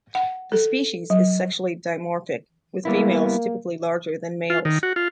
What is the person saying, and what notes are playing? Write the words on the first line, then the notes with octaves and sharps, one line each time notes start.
The species is sexually dimorphic, with females typically larger than males.
F#5
A4
F#3
G3 A#3 B3 E4
F4
D#3
F#4
F4